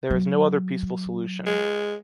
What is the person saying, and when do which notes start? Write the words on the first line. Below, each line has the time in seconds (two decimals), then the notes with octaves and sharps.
There is no other peaceful solution.
0.10 F#3
1.46 G#3